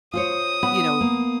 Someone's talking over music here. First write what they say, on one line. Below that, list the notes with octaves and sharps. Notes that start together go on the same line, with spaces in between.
you know,
F4 C5 C#5 D#6
B3
A#3